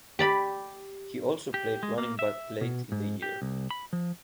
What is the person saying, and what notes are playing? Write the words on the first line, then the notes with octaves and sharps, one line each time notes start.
He also played running back late in the year.
G4 D5 B5
G4
G#3
A#3
E5
B2
G#2
G4
C2
B5
F3